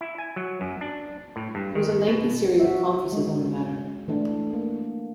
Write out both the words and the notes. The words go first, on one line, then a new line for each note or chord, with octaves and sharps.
There was a lengthy series of conferences on the matter.
E4
G#5
F#3
F#2
D4
A2
G2
D#3
B2
F#3 F#4 E5
G#3
E3 A3 D4
A#3